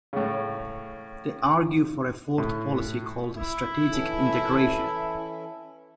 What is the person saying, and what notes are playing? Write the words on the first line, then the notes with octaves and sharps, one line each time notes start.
They argue for a fourth policy called strategic integration.
A2 C#3
A2
E4
E3 C#4 A4